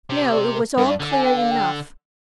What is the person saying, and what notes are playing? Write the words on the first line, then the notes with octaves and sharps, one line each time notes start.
No, it was all clear enough.
C3
D5
A#4
G2 A#4
D5
D3
G#5
G5
F5
G5